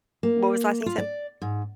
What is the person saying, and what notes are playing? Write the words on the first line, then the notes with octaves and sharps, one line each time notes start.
What was the last thing you said?
A#3
F4
D5
G#2